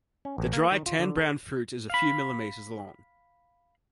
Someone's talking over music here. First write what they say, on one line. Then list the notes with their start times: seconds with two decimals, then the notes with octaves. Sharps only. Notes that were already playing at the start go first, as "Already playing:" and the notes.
The dry tan-brown fruit is a few millimeters long.
0.25 C#4
0.38 A1
0.53 A#3
0.72 D#3
0.86 F4
0.99 D3
1.17 A4
1.90 F5 B5